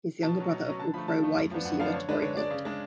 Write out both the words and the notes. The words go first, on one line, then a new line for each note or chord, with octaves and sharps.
He is the younger brother of All-Pro wide receiver Torry Holt.
B2 A5
F#3 C#4
B2
F#3 C#4
D3 A5
F3 A3 B5
D3 A5
F3 A3
F#2
F3 B3 D4
F#2 F#5
F3 B3 D4 F5
D3 C#5
G#3 D4 B4
D3 C#5
G#3 D4 D5
C#3
G#3 D4